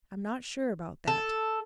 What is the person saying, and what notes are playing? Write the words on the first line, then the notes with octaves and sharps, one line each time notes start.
"I'm not sure about that."
A4